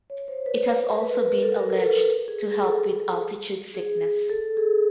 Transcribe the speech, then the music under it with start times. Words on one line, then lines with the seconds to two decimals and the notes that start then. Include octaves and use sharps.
It has also been alleged to help with altitude sickness.
0.10 C#5
0.28 C5
0.46 B4
0.73 A#4
1.01 B4
1.15 A#4
1.43 A4
1.56 A#4
1.84 A4
2.28 G#4
2.47 G#4
2.65 A4
3.75 G#4
4.30 A4
4.57 G#4